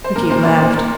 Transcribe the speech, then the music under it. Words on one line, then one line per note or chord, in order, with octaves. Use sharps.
Rickie laughed.
C5
A#2 A#4
A#2 C5
A#2 D5
A#2 C5
A#2 A#4